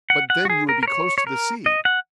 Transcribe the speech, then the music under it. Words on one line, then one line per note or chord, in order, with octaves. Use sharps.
"But then you would be close to the sea?"
F#5
F#5
F#4
G#4
A#4
A#4
C#5
C#5
A#4
D#5
F#5